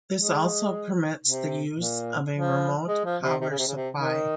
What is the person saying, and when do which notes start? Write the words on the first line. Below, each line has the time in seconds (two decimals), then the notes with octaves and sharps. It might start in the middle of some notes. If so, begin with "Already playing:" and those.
This also permits the use of a remote power supply.
0.16 G#3
1.24 C3
1.79 A#2
2.33 F3
2.87 G#3
3.04 F3
3.23 C3
3.41 C3
3.50 C#3
3.59 C3
3.68 C#3
3.76 C3
3.95 D#3